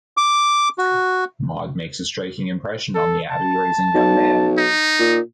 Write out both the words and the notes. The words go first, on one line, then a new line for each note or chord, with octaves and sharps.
Maude makes a striking impression on the abbey-raised young man.
D6
F#4
A4
A5
B1
D#4
A#2